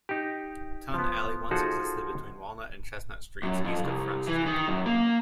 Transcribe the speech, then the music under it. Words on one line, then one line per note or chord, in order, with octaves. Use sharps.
Tun Alley once existed between Walnut and Chestnut Streets east of Front Street.
D#4 G4
F3 B3
F3 D#4 F#4 G#4 A4
F#2
F2
C2
E3
D#3
F#2
A#3